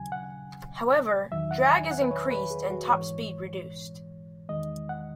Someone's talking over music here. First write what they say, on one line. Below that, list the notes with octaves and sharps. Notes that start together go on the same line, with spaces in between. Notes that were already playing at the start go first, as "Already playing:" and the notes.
However, drag is increased and top speed reduced.
Already playing: D#2 C#3 F#3 G#5
F#5
E2 D#3 F#3 E5
F#5
G#5
F#5
B4
C#5
B4
G#4
F#4
G#2 E3 G#3 C#5
E2 D#3 G#3 D#5
F#5